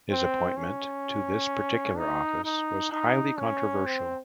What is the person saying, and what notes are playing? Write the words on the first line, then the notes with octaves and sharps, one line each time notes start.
His appointment to this particular office was highly controversial.
C4
C#4
D#4
D#4
D#4
C#4
C4